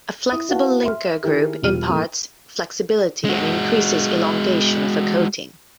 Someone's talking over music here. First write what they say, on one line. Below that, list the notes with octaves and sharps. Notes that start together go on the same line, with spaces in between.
A flexible linker group imparts flexibility and increases elongation of a coating.
E4 D#6
E4 F#4 B4 F5 F#5 A5
E5 C6 F6
D#3 E4 G4 G#4 A#4
E1 G3 F4 F6 D#7
A2 E3 A3 A#3
G#3 F#4